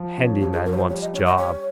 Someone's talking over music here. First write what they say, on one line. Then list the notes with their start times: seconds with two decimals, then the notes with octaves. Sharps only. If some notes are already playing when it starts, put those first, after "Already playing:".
Handy man wants job.
Already playing: F3
0.17 C#4
0.41 F3 G4
0.53 G#4
0.65 F3 A#4
0.72 C#5
0.77 C5
0.89 G3 C#5
1.01 D#5
1.13 C#4 C#5
1.26 D#5
1.38 G3 C#5